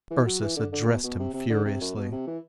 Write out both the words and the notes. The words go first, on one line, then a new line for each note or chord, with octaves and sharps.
Ursus addressed him furiously.
E3
F#3
E3
D3
D3
B2
B2
C3
C3
D3
C3
F#2
B2
C3
E3